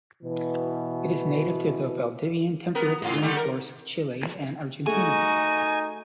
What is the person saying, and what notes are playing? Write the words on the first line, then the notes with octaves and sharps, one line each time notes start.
It is native to the Valdivian temperate rain forests of Chile and Argentina.
B2 E3
B3 A#4
G#2 F4
D3 G3 A3
A#4
A3 D#4 F#4 G#4 G#5